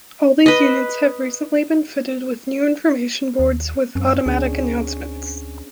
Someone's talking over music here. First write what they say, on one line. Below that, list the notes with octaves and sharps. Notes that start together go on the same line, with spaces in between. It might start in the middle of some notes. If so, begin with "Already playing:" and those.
All these units have recently been fitted with new information boards with automatic announcements.
B4 D#5
D#2
F#2 C4 C#4
D2 C#4 D4 G#4